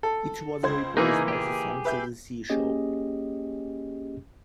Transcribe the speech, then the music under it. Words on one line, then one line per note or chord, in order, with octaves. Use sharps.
It was replaced by the "Songs of the Sea" show.
A4
C#2 C5 G#6
E3 A#3 D#4 G#4
G4 G#4
B4 E5 G6
A#3 C#4 G4 G#4 D#5